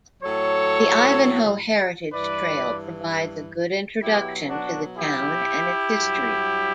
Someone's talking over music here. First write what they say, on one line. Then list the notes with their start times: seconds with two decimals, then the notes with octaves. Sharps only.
The Ivanhoe Heritage Trail provides a good introduction to the town and its history.
0.22 A2 F#3 A4 C#5
2.11 G2 E3 B4 D5
4.01 B2 F#3 E4 G4
4.49 D4 F#4
4.96 E4 G4
5.92 G2 F#3